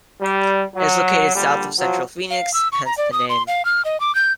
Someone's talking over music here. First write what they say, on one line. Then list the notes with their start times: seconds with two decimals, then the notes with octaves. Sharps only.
It is located south of central Phoenix, hence the name.
0.21 G3
0.74 F#3
1.35 A#1 D3 G3
1.78 F3 F#3
2.30 F5
2.54 E6
2.72 C#6
2.86 A#5
2.98 D5
3.12 D#6
3.29 C6
3.48 F5
3.65 F6
3.85 D#5
4.00 D6
4.15 G6